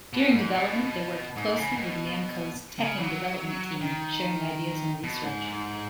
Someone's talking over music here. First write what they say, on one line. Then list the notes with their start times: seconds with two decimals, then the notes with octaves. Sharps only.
During development they worked closely with Namco's "Tekken" development team, sharing ideas and research.
0.13 B2
0.34 G#2
0.54 B2
1.36 G#2
1.56 C#3
1.77 B2
2.79 C#3
2.99 F#3
3.81 D#3
5.03 B2
5.23 G#2